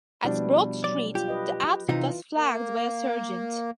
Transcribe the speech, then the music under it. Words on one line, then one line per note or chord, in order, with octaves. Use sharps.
At Broad Street the outfit was flagged by a sergeant.
B2 F3 G3 B3 D4 E4
F#3 D5
F4 G4
B4 D#5
C3 E3 D#4 F4
A#3